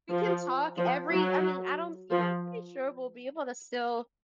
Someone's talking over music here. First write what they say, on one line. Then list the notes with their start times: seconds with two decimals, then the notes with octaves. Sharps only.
We can talk every I mean, I don't, yeah, I'm pretty sure we'll be able to still,
0.11 F3
0.78 F3
1.12 F#3
2.12 F3